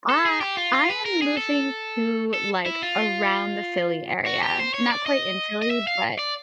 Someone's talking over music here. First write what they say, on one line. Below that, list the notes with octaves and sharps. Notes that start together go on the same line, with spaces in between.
I I am moving to, like, around the Philly area. Not quite in Philly, but,
A4
G#4
G4
F4
F4
B4
A#4
G#4
A4
A4
E4
F4
F#4
G4
C5
C#5
D5
D#5
D#5
E5
F5
D5